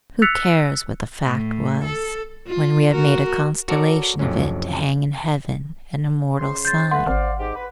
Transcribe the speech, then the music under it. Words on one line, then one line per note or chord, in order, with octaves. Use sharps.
Who cares what the fact was, when we have made a constellation of it to hang in heaven an immortal sign?
E6 F#6 A6 B6 C#7 F7
A2
A4
F4
F#4 A#4
F#4 A4 A#4 C#5 D5
F2 A2 C3 F#3 C#4
C#3 C5 C6
G6 A6
A3 B4 F#5 C6
G#1 C5 D5 F5
G#2 G4
B4